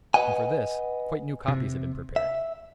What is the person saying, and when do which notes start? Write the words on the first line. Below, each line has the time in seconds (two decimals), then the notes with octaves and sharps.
And for this, quite new copies had been prepared.
0.14 B4 C5 D#5 F#5 G#5
1.48 C3
2.16 E5